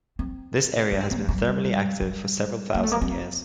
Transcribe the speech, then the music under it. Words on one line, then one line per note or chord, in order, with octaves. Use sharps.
This area has been thermally active for several thousand years.
C4
D4
C4
C4
F#3
G3
G3
A#3
A3
A#3
C4